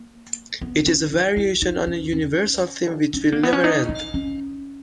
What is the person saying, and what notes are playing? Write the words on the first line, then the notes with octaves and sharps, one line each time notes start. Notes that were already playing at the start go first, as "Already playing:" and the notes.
It is a variation on a universal theme which will never end.
Already playing: A#3
B3
C#4
D#4
E4
D#4
C#4
C#4
C#4
A#3
B3
C#4
D#4
D#4
C#4